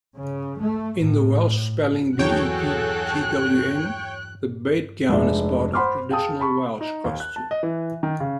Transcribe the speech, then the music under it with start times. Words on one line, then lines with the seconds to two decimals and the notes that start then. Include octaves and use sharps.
In the Welsh spelling "betgwn", the bedgown is part of traditional Welsh costume.
0.17 C#3
0.61 A3
0.99 A2
2.19 E2 F#3 F#4 G#4 A4 C#5 G5 F#6
5.09 F1 G#3 D4 E5
5.73 C5 F#5 B5 C6 D6 F6
6.10 G#4 F5 G5 A5 D#6
6.40 A5 B5 C#6
6.81 D#4
7.04 D#2
7.20 F#6
7.36 A5
7.51 D#5
7.63 E3
8.03 D#3
8.20 C#3